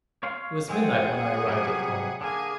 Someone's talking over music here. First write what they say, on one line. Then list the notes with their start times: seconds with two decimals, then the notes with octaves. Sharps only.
It was midnight when I arrived at home.
0.23 C#5 F5 C6
0.69 G#3 C4 G#4 F#5
1.47 C3 F#3 G3
2.21 D3 A#3 G#4 G#5